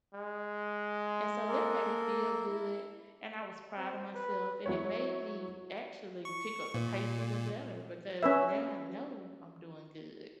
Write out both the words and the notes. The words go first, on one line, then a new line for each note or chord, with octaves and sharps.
and so that made me feel good, and I was proud of myself, and it made me actually pick up the pace even better, because now I know I'm doing good.
G#3
A#3 A4 A#4
E4
C4
B4
F#3 E4 C#5
C#6
A#2
C#4 B4 E5